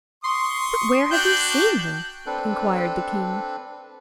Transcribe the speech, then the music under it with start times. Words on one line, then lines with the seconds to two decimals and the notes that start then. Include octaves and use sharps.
"But where have you seen her?" enquired the King.
0.24 C6 C#6 D#6
1.11 D4 F#4 G5 G6
2.26 C4 D4 A4 B4